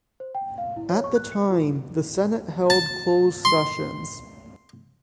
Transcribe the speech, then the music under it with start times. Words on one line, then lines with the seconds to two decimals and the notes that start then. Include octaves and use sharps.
At the time, the Senate held closed sessions.
0.20 C5
0.35 G5
0.58 F5
0.76 E4
0.90 C#5
1.04 C#6
1.16 F#6
1.32 C#7
1.50 F4
2.70 A5
3.45 C6